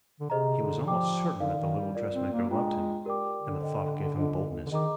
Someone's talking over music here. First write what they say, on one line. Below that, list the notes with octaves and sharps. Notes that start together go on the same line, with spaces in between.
He was almost certain that the little dressmaker loved him, and the thought gave him boldness.
D3
C3 G#4 C5 D#5 A#5
D3
F3 G4 D5 G5 D6
D3 D#4 A#4 D5 F5
D#3
G3
F4 A#4 D5
C4
A#3
G#3 D4 F4 C5 G5 A#5
G4 A#4 D5 G5 D6
D3
C5 D#5 G5
D4 F4 C5 D#5
D3
D#3 G#4 D#5 A#5 D6